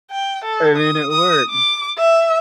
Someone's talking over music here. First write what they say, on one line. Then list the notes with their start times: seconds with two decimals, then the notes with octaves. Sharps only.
I mean, it works.
0.11 G5
0.45 A4
0.78 D#6
1.12 D#6
1.50 D6
1.98 E5